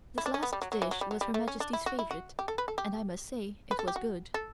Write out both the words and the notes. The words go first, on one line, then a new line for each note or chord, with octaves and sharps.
This last dish was Her Majesty's favorite and I must say it was good.
E4
D4
C#4
B3
G3
F#3
F#3
E3
F#3
G3
F#3
G3
A3
C#4
D4
E4
F#4
E4
F#4
G4
A4
B4
A4
G4
B4
A4
G4
F#4
A4